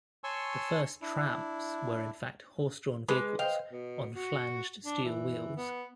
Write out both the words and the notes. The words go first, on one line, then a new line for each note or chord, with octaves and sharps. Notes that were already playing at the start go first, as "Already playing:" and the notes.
The first "trams" were in fact horse-drawn vehicles on flanged steel wheels.
C#5 G#5 A5 C6 C#6 E6
D4 E4
G#3 B4 D6
C5 D#5 F5 G5
B2
F#4
D4
E3
B3